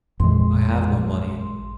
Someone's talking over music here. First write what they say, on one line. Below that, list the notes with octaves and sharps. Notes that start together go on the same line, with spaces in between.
"I have no money."
A1 F2 A#2 E3 G#3 C6